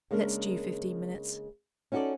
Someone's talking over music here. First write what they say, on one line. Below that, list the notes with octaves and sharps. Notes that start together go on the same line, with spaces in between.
Let stew fifteen minutes.
C#3 G#3 A#3 D4 A#4
C#4 D#4 F#4 G#4 A4 D5